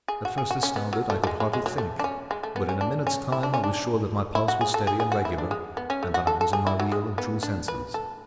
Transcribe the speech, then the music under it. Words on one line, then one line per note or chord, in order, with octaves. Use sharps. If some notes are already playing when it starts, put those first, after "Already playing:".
At first astounded, I could hardly think, but in a minute's time I was sure that my pulse was steady and regular, and that I was in my real and true senses.
G#4
F#4
G#4
F#4
C#4
B3
F#3
A3
A3
G#3
G#3
G#3
F#3
A3
D4
C#4
G#3
A3
B3
C#4
D4
C#4
E4
D4
C#4
D4
E4
F#4
G#4
A4
G#4
G#4
F#4
E4
D4
G#3
B3
C#4
A3
F#4
A4
A4
G#4
E4
F#3
G#3
B3
D4
B4
A4